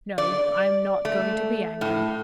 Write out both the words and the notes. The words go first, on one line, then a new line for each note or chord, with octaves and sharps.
No, I am not going to be angry.
D5
A3
A2